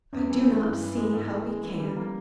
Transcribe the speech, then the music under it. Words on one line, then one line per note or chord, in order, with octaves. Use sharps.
I do not see how he can.
E2 C#4
E3
G#3
G2 E4
E3
G#3
G#2
E3
G#3
E3
G3
A#3